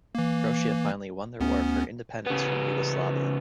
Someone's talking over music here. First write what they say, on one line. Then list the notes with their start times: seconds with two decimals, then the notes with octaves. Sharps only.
Croatia finally won their war for independence from Yugoslavia.
0.15 E3 A#3
1.40 D2 B3 C#4
2.26 C#3 B3